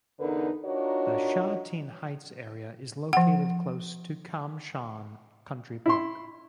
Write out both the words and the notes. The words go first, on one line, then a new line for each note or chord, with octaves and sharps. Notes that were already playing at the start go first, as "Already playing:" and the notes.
The Sha Tin Heights area is located close to Kam Shan Country Park.
E2 D3 D#4 A#4 B4
D4 D#4 F4 F#4 A#4 C#5
F3 F#5
E4 C6